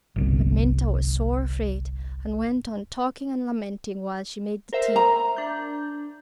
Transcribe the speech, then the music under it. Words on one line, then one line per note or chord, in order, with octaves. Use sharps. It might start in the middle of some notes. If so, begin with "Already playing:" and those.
But Minta was sore afraid, and went on talking and lamenting while she made the tea.
G1 C2
A#4 C5 E5
A#5
D4 G6